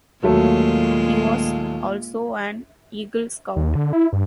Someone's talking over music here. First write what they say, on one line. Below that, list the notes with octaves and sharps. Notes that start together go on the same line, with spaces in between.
He was also an Eagle Scout.
D#2 A#2 F#3 G#3 A3 F4
D#2
D3
E4
G2